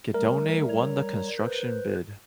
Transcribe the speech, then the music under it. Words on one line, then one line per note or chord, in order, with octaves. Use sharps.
Guidone won the construction bid.
G3 A3 A#4
G3 C#5 A#5
B4 C5